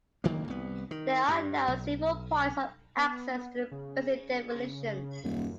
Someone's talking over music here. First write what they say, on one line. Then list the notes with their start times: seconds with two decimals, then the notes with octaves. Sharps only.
There are now several points of access to the basic definitions.
0.24 F#1 D2 D#3 A#3
0.48 C2 B3
0.91 D#3
1.28 G2
1.68 B1
2.97 B3
3.71 C#3
5.24 D#1 F#2